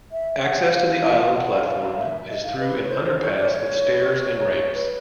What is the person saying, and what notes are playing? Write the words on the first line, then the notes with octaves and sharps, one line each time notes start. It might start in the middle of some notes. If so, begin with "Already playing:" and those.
Access to the island platform is through an underpass with stairs and ramps.
E5
F#5
F5
F#5
F5
E5
D#5
F5
B4
C#5
C5
C5
C#5
D5
C#5
B4